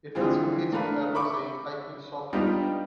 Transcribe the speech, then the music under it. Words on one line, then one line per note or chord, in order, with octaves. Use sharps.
It thus competes with Apple Inc.'s iTunes software.
D3 E3 C4 F4 G#4
A3 D4 A#4 B4 F5
E5 B5 C#6 D6
G3 B3 D4 D#4 F4 G4